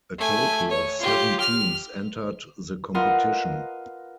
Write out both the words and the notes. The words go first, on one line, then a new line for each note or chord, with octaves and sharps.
A total of seven teams entered the competition.
A3 G#5
C#5
F4 G4
F6
F4 A#4 B4 D#5 F#5